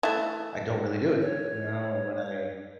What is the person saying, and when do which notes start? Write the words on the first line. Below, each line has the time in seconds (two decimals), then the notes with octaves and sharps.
I don't really do it, you know, when I
0.03 E3 A3 E5 A5
1.22 C#5